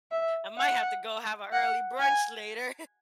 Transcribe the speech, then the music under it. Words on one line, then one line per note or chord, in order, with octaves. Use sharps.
I might have to go have an early brunch later.
E5
F#5
F#5
G#5